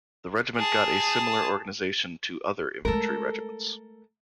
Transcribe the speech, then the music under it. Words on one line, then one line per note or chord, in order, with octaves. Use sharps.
The regiment got a similar organization to other infantry regiments.
G#4 A5
G#3 A3 A4 A#4